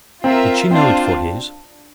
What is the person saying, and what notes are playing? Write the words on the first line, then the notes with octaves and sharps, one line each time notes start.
Did she know it for his?
C4 F4 A#4 E5
C4 D4 F4 C5